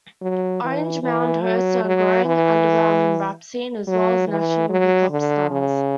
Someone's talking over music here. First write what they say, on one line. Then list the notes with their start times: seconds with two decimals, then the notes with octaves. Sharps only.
Orange Mound hosts a growing underground rap scene as well as national hip-hop stars.
0.22 F#3
0.62 E3
1.03 E3
1.43 F#3
1.84 F#3
2.25 E3
3.88 F#3
4.28 E3
4.69 F#3
5.10 D3
5.51 C#3